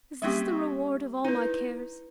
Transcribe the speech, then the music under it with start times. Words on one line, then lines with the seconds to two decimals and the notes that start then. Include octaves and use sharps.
Is this the reward of all my cares?
0.22 G3 A#3 C4 C#4 G4 E5
1.24 D#4 E4 B4